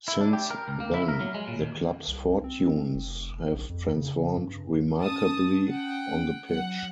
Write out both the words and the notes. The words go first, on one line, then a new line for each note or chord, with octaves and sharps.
Since then, the club's fortunes have transformed remarkably on the pitch.
E4
D4
G4
A#4
C#2
A#3
E4
A#4
F#3
G#3
A#2
D#2
C2
C4
F1
A#1
F2
C#3
G2
C#4 A5 D#6
F#5 G5
F#3 F#5